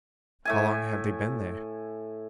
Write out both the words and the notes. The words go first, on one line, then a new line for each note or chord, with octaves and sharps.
"How long have they been there?"
A2 E5 G#5